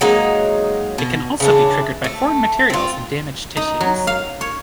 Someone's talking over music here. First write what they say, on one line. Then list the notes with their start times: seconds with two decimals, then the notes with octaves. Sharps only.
It can also be triggered by foreign materials and damaged tissues.
0.01 F#3 G#3 A#3 D#4
0.98 B2
1.40 C#3 E3 D4
2.04 A3
2.70 C4 F4
3.57 D#4
3.80 F#3
4.07 F5
4.41 C#5